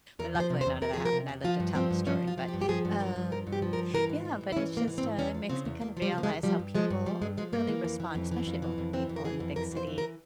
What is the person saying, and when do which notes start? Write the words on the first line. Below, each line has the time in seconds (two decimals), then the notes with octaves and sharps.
But, luckily none of that happened, I lived to tell the story, but, um Yeah, but it's just, uh, it makes me kind of realize how people really respond, especially older people in the big city.
0.19 E2 A#4
0.35 F3
0.40 C5
0.50 C3
0.61 C5
0.66 E2
0.82 E2 A#4
0.94 F3 G#4
1.05 A#4
1.13 C3
1.29 E2
1.44 F3 F4
1.60 G2
1.75 F3 C4
1.91 G2
2.06 F3 C#4
2.22 G2
2.27 F4
2.38 F3
2.48 G4
2.54 G2
2.61 G4
2.69 F3 G#4
2.85 G2
3.00 F3 A#4
3.16 G2
3.31 F3 A#4
3.47 G2
3.52 G4
3.62 F3
3.73 A#4
3.78 G2
3.94 E3 A#4
4.09 G#2
4.25 E3
4.41 G#2
4.52 E4
4.56 E3 C#4
4.72 G#2 A#3
4.88 E3
4.98 C4
5.03 G#2
5.19 E2 C#4
5.34 F3
5.49 C#3 C4
5.65 E2
5.81 E2 A#3
5.97 F3
6.02 G3
6.12 C#3
6.18 A#3
6.23 G#3
6.28 E2
6.43 F3 G3
6.59 G2
6.75 F3 G#3
6.90 G2
7.06 F3 G3
7.22 G2 G#3
7.37 F3 G#3
7.53 G2 A#3
7.69 E3
7.84 F2
8.00 E3
8.15 F2
8.31 E3
8.47 F2
8.62 E3
8.78 F2
8.93 E3 C4
9.09 F2
9.16 A#4
9.25 E3 G#4
9.40 F2
9.56 E3 A#4
9.71 F2
9.77 C5
9.87 E3
9.98 A#4